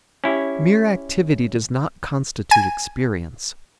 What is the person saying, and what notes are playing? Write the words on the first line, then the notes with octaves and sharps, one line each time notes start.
Mere activity does not constitute experience.
C#4 E4 G4
G#5